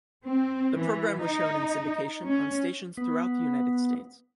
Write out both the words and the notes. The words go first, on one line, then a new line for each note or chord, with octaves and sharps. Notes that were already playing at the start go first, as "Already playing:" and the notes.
The program was shown in syndication on stations throughout the United States.
C4
E3
D#4
C#4
B3